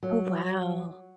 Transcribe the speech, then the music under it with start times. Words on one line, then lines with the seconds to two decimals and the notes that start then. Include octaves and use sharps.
Oh, wow.
0.03 F#3